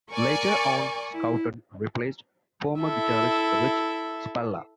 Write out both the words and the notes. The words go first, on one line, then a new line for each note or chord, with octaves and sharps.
Later on Scouten replaced former guitarist Rich Spalla.
A#4 D5 G#5 C#6
E4
E4 A4 E5